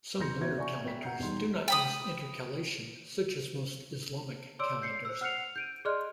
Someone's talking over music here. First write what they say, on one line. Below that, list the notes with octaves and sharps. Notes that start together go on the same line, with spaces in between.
Some lunar calendars do not use intercalation, such as most Islamic calendars.
E1 C6 G6 A#6 C#7
B2 F#4 C#5 E5 G#6
D5 E5 F#5 G#5 C#6
B2 B4 E5 G5 B6
F#5 A#5 G6 C7 C#7
E1 B2 G3 D#4 C6
G5 B5 D#6
C#5 D5 C6 D6 E6 D7
G6 C7 C#7
C5 E6
F#5 F6 F#6 C7 C#7 F7
G6 D7 D#7
G#4 D5 D#5 C6 F6 F#6